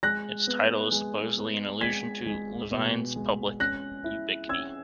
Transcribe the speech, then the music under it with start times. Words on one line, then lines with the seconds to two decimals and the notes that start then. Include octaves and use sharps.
Its title is supposedly an allusion to Levine's public ubiquity.
0.03 G#3 F#6 A#6
0.47 B3
0.92 G#3
1.37 B3
1.81 G#3 G#6 B6
2.26 G#3
2.71 B2
3.16 G#3
3.60 C#4 F#6 A#6
4.04 E4
4.49 C#4 E6 G#6